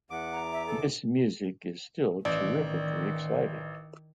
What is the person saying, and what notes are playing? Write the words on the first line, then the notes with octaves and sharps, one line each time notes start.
This music is still terrifically exciting.
E2 F#5 D6
A#5
E5
A4
A1 D#3 D5